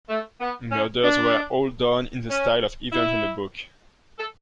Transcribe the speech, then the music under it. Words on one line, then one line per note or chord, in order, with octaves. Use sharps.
The murders were all done in the style of events in the book.
A3
B3
C#4
D4
C#4
E4
A4